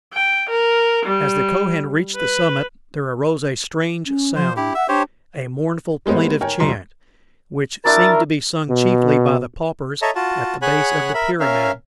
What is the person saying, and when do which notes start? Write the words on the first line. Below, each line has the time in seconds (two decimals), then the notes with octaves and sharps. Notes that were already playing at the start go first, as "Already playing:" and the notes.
As the Kohen reached the summit there arose a strange sound--a mournful, plaintive chant, which seemed to be sung chiefly by the paupers at the base of the pyramid.
0.14 G5
0.49 A#4
1.05 G3
2.16 B4
4.06 C#4
4.36 F3 C5
4.57 D4 E4 G4
4.75 E5 F#5
4.89 D4 G4 C5 C#5
6.06 G3 G#3 A#3 B3 C5
6.41 A#4 C#5 G5 G#5
6.60 E1 G2 F3 A#5 C6
7.85 F#3 D4 E4 A#4 A6
8.69 B2
10.02 A4 C#5 D#5 E5 A5 A#5
10.15 F4 F#4 A5
10.62 G#4 C#5 F#5 G#5 B5 F#6
11.14 A#4 E5 B5
11.40 C#4 A#4 E5 F5